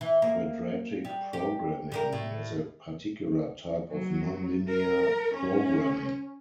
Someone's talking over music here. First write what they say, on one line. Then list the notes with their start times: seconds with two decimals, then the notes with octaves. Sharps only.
Quadratic programming is a particular type of nonlinear programming.
0.01 E3
0.22 A#3
1.05 G3
1.33 G4
1.92 G3 G4 A#4
2.12 A2
3.91 F#3
4.67 A#4
5.34 C#4